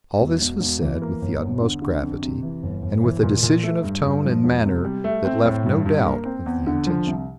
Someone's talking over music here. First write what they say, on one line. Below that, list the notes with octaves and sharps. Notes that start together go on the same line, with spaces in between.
All this was said with the utmost gravity, and with a decision of tone and manner that left no doubt of the intention.
E1
E1
E1
E3
A#3
G1
E2
D3
D3
F2
C3
E3
G1
G1
E3
A#2
A#2
A3
G2
G2
F3
E1
C3
G3
A3
C4
A2
G2
G2
A#3
C4
E2
D3
F3
C2